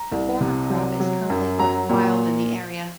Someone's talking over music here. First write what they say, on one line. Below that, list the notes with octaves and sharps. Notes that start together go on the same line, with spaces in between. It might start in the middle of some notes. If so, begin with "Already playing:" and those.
The former crop is currently growing wild in the area.
Already playing: A#5
C2
C3
F#3
F#3
F#2
F#3 A#5
A#2